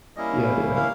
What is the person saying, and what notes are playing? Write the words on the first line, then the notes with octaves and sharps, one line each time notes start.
Yeah, yeah.
G3 A#3 C#4 E4 D#5
F5